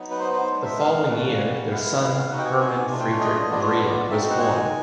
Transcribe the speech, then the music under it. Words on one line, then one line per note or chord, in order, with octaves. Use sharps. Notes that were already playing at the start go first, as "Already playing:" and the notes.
The following year, their son Hermann Friedrich Maria was born.
Already playing: F#3 B3 D#4
B4
C5
C5
G#3 B3 D4
E5
F5
G3 A#3 C#4 F#5
G#3 B3 E4 F5
F5
B3 D#4 F#4 F#5
G5
G#5
G5
G#5
A3 D4 F4 G#5
G5
C#5
D#5
D#5
B3 D4 F4 D5
C#5
D5
G#3 C4 D#4 F#4 E5
F#5
G#5